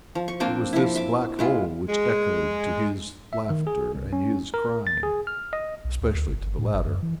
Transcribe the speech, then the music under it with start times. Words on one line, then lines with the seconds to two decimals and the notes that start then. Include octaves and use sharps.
It was this black hole which echoed to his laughter and his crying, especially to the latter.
0.15 F3
0.28 C#6
0.40 A#3 C4 D4 G5
0.73 F3 E4
0.95 E5 D6
1.39 G#3 E4 F4
1.88 G#3
3.33 E5
3.50 D#3
3.67 G#4
3.95 C2
4.13 C#4
4.54 A#4
4.87 A6
5.03 G#4
5.27 F6
5.53 D#5
5.85 B1
6.02 D2
6.15 D2
6.29 G#1
6.41 G1
6.59 A2
6.74 G1
6.87 F#2
7.03 E3